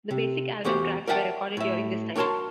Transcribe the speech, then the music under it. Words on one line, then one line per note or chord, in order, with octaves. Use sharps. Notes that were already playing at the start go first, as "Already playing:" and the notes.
The basic album tracks were recorded during this time.
C3
E2 F#4 G4 C5
A#4 D5 E5 F#5 G5 A5
A2 E5
D4 F#4 A#4 C#5 A5 C6